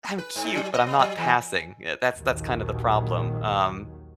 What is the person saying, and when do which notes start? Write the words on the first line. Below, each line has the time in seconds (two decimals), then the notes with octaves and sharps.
I'm cute, but I'm not passing. Eh, that's that's kind of the problem. Um,
0.18 B4
0.36 G#2
0.55 F#3
0.74 D#5
0.86 B3
0.99 F#3
1.18 E2
2.15 A#1 D#2 D#3 F#3